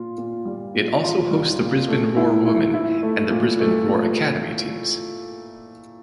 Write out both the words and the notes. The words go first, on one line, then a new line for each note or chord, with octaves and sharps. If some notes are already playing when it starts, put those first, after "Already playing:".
It also hosts the Brisbane Roar Women and the Brisbane Roar Academy teams.
Already playing: A#2 F4
A#2
G3
A#2
F4
G3
A#2
A3
E4
E4
E4
A3
A#2
A3
A#2